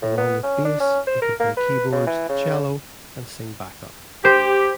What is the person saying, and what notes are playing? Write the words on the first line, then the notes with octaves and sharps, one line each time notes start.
Along with bass, he can play keyboards, cello, and sing back up.
A2
B3
C#4
D4
C#4
C5
A#4
A#3
B4
C#3
E3
C#3
G4 C5